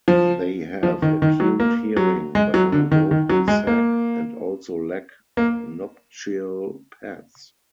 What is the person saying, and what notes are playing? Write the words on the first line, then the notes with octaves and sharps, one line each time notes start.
They have acute hearing, but no vocal sac, and also lack nuptial pads.
F3
F3
D#3
D#3
F#3
A#3
F#3
G#3
F#3
D3
D#3
D#3
F#3
G#3
A#3
A#3